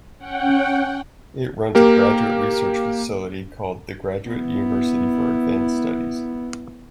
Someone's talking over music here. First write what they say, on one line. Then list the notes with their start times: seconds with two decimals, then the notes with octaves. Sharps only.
It runs a graduate research facility called The Graduate University for Advanced Studies.
0.18 C#4 F#5 G5
1.75 A#3 G4 A#4
4.28 B3 E4